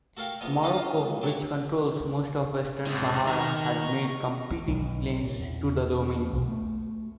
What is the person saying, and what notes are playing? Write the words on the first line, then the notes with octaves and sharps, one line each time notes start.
Morocco, which controls most of Western Sahara, has made competing claims to the domain.
F#4 A4 A#4 F5 G5
A#1 E2 B3 D#5
D#4 F4 A4 F5 A#5 D#6
C#2
F#3 G4 A4 C#5
E2 A2 C3 G#3 G#4
D#3 D#5 A#5 C#6
B1
A#2
E2
B1
A3